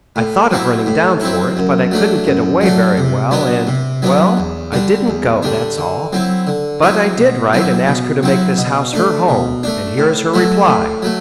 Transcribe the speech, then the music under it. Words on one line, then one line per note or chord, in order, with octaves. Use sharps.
I thought of running down for it, but I couldn't get away very well, and--well, I didn't go, that's all. But I did write and ask her to make this house her home, and here is her reply.
A2
F#3 C4 E4
A2
F#3 C4 E4
F#2
F#3 A3 D4
F#2
F#3 A3 D4
C3
F#3 B3 D4
C3
F#3 B3 D4
E2
D3 G3 D4
E2
D3 G3 D4
D3
F#3 C4 E4
D3
F#3 C4 E4
B2
F#3 C4 E4
B2
F#3 C4 E4
B2
A3 D4
B2
A3 D4
A2
F#3 A3 E4
A2
F#3 A3